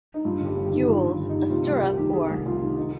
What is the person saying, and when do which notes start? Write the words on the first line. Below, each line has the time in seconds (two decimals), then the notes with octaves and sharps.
Gules, a stirrup Or.
0.14 D#4
0.25 G2 F4
0.40 G1
0.45 G4
0.56 G1
0.66 G4
0.72 D#3
0.87 G2 F4
1.03 G1
1.19 G1
1.29 D#4
1.35 D#3
1.50 C3 F4
1.66 C2 G4
1.82 C2 G4
1.97 D#3 G4
2.13 C3 G#4
2.30 C2
2.46 C2 F4
2.61 D#3
2.78 D#4